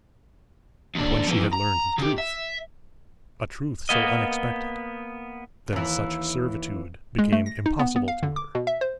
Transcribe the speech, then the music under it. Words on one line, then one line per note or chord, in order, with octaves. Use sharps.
But when she had learned the truth,--a truth so unexpected,--then such servitude became impossible to her.
D#2 D4
F2 E3
A#5
C#3 G4
E5
A#3 B3 D#5
D#2 E3
G#3
A3
A#6
D#4
B3
B3
F5
D3
D6
B2
E5
C5